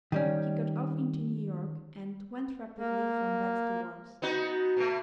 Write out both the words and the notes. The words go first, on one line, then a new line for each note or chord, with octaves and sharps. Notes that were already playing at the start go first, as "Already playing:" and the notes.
He got off into New York, and went rapidly from bad to worse.
D#3 G3 C#4
A#3
B3 D#4 F#4
B2 A3